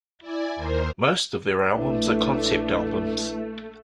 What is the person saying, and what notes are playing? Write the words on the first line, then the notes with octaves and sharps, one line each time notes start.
Most of their albums are concept albums.
E4 D5 G#5
D#2 A#4 C5
A#1 A3 D4 E4 B4 E5